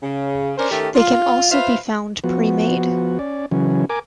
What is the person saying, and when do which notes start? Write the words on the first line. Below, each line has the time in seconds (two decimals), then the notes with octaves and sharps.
They can also be found pre-made.
0.03 C#3
0.58 C#4 D4 A#4 C5
0.71 D#3 A3 C#4 G4 A4
0.95 F4
1.51 F4 B4 C5 E5 F5
2.24 F3 B3 F#4
3.19 C#4 D5
3.51 C#3 E3 F#3 C#4
3.90 A#4 G#5 D6